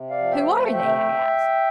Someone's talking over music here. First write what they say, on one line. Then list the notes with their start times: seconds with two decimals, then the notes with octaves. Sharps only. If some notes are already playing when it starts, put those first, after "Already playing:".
"Who are they?" I asked.
Already playing: C3
0.10 D5 F5
0.18 F3
0.31 E5 G5
0.45 A3
0.73 C3 E5 G5